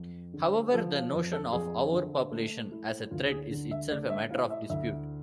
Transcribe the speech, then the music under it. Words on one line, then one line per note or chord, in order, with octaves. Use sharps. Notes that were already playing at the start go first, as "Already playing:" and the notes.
However, the notion of overpopulation as a threat is itself a matter of dispute.
Already playing: F2
D3
F3 A4
F5
F2 C5
A4
F2 G#4
D3
A3
E4
D2 F4
G#4
D3
E5
A3 D5
E5
E4 F5
E5
D2 E5